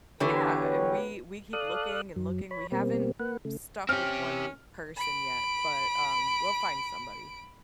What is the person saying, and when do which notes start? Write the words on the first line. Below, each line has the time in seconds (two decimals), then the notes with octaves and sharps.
Yeah, and we we keep looking and looking, we haven't stuck with one person yet, but, um, we'll find somebody.
0.20 D2 D3 E3 B3 G4 B4 C#5
1.53 A4 D5 F5 D#6 F#6
2.16 F#2 F#3
2.51 C#5 B5
2.72 B2 G3 A#3 C4
3.20 A#3 B4 F#5
3.45 C#3 A3
3.89 C4 C#4 G4 F6
4.96 B5 D7